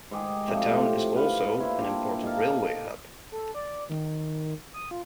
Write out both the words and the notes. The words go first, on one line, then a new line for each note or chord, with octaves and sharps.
The town is also an important railway hub.
G#2 D#3 G4 G#4
A2 C3 F3
B4 F5 F#5
A#2 E4 C5
D4 E4 G4
D#4 A4 F5
A4
D5
D#3
D#6
F4